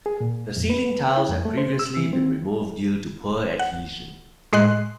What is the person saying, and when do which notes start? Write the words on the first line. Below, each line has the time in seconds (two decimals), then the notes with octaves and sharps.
The ceiling tiles had previously been removed due to poor adhesion.
0.06 G#4
0.21 A#2
0.57 F2
0.70 B4
1.05 G5
1.17 E4
1.29 F2
1.45 A3
1.57 C5
1.79 E6
1.97 E3
2.13 C4
3.59 F#5
4.53 A2 G#3 D#5 C6 F#6